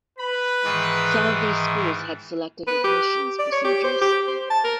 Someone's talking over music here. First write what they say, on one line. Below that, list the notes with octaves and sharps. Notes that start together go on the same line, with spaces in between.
Some of these schools had selective admissions procedures.
B4 B5
G#2 D#3 E3
B4
G4
D5
C#5
G4
C5
G4
C5
A5
A#4